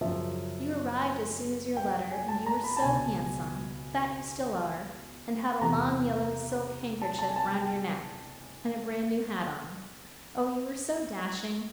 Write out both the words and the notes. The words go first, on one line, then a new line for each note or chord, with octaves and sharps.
You arrived as soon as your letter, and you were so handsome--that you still are--and had a long yellow silk handkerchief round your neck, and a bran new hat on; oh, you were so dashing!
F#2 C#3 F3 E5
G5
G#5
A5
A#5
B5
A5
C#2 B2 G#5
E2 C3 E3 A#5
A5
A5
G#5
A5
G5